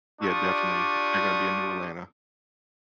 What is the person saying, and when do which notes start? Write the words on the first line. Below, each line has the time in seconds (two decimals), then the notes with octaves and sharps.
Yeah, definitely, there gonna be a new Atlanta.
0.22 D4 F4 G4 D5 C#6 D#6